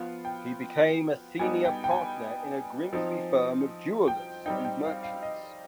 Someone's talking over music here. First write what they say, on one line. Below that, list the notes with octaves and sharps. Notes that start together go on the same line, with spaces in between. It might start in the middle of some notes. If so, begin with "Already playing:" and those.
He became a senior partner in a Grimsby firm of jewellers and merchants.
Already playing: F3 B3 F4 F5
G5
G3 B3 D#4 G#5
G5
G5
G#5
F3 C4 D#4
G5
G3 C4 D#4 G5
G5
F5
F5
D#5